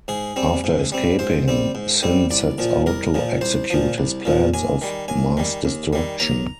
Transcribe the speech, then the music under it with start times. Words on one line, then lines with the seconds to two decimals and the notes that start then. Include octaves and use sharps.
After escaping, Sin sets out to execute his plans of mass destruction.
0.08 G#2 G#4
0.36 G3 C4
0.64 G#2
0.92 G3 C4
1.19 G#2 C5
1.48 G3 C4
1.75 G#2
2.02 G3 C4
2.31 C2 D5
2.58 A#2 F3
2.86 C2 A#4
3.14 A#2 F3
3.41 C2 C5
3.70 A#2 F3
3.98 C2
4.25 A#2 F3
4.54 D#2 G#5
4.82 D#3 G3
5.08 D#2 G#5
5.37 D#3 G3
5.65 D#2
5.93 D#3 G3
6.20 D#2 A#5